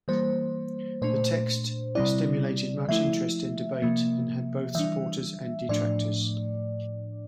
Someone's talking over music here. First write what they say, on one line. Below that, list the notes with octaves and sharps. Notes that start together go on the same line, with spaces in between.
The text stimulated much interest and debate, and had both supporters and detractors.
E3 G3 A#3 C5
A#2 A3 D4 C5
C3 G3 C4 E4 D5
F3 A3 E4 E5
C3 F3 A#3
E3 G3 D4 E5
A2 F3 A3 D4 D5